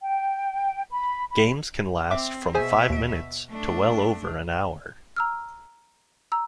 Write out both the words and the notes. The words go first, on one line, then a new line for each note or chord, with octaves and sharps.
Games can last from five minutes to well over an hour.
G5
B5
B5
C4 E5 D6
B2 G#4 C5 E5 G#5
D#2 D7
A3 D4
A#5 E6 F6
A#5 E6